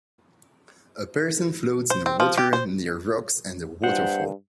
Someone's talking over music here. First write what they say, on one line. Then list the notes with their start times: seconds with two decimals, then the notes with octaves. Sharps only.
A person floats in water near rocks and a waterfall.
1.90 C5
2.06 C4
2.20 F3
2.38 G4
2.53 C5
3.84 G2 C5 F#5